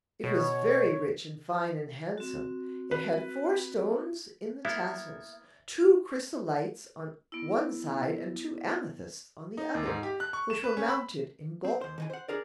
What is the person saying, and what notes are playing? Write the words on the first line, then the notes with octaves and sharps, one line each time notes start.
It was very rich and fine and handsome; it had four stones in the tassels--two chrysolites on one side, and two amethysts on the other, which were mounted in gold.
B2 C#5
C4 F#4
B4
A#3 B3 E4 E5
B3 E4
D#4
D#2
G#2
G4
F#6
C#6
E7
B4
C#4
B5
C4
D#2 C5
D#3 E3 G#5
C5 F#5
D4 G#4 A#4 D5